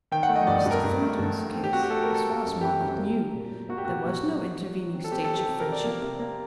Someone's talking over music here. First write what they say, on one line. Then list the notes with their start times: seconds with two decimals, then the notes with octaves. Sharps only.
In Mr. Thornton's case, as far as Margaret knew, there was no intervening stage of friendship.
0.12 D#3 G5
0.23 F#5
0.29 A3
0.36 D#5
0.47 G2 D5
0.59 D5
0.66 G2 A#4
0.84 G2
1.02 A3
1.19 G2
1.37 A3
1.54 C4
1.64 G4
1.73 C4 F#4
1.82 G4
1.90 A3 A4
2.03 A#4
2.09 A3
2.15 A4
2.26 A3
2.45 F#2
2.61 C4 G4
2.80 F#2
2.98 A#3
3.16 A#3
3.34 A#2
3.51 F#3
3.69 A#3 F#4
3.78 G4
3.85 A#2 F#4
4.06 A#2
4.23 F#3
4.40 F#3
4.58 F#3
4.77 F#3
4.94 C4
5.04 A4
5.12 C4 G4
5.24 A4
5.30 F#3
5.36 G4
5.48 C3
5.60 A#4
5.66 C3
5.72 D5
5.84 A#3
6.01 C3
6.19 A#3